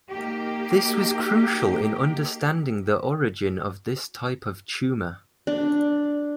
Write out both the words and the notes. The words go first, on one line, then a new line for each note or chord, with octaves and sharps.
This was crucial in understanding the origin of this type of tumor.
A#3 D#4 G4
D4